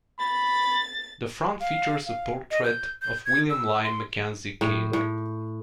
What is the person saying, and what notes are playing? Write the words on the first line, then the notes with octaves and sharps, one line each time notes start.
The front features a portrait of William Lyon Mackenzie King.
B5 A6
F5
F5
D#5
G6
G6
G#6
E6
C6
A2
A2